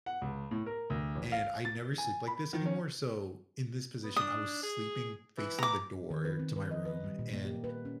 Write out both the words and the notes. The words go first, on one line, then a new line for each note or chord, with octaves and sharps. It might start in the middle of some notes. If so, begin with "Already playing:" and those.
and I never sleep like this anymore, so in this position, I was sleeping facing the door to my room, and
F#5
C#2
A2
A#4
D2
A1
F5
A6
G#5
B5
D#3
C#4
B3
D4 D#6
G#4
E3
A#5 D6
D#3
B4
C4
B4
D#5
B4
G3
A#2
A#3
G4
B4
C#4